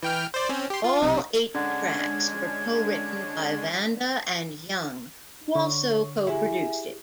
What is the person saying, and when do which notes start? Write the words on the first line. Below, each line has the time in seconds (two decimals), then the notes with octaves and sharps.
All eight tracks were co-written by Vanda and Young, who also co-produced it.
0.03 E3 G5 F6
0.34 C5 D5
0.49 C4 C#4
0.70 G4 C6
0.84 F4
1.01 B1 C3
1.55 D3 G#3 C#4 D4 G#6
5.55 D3 C#5 C#6
6.27 E4 G4 G#4 E5 G#5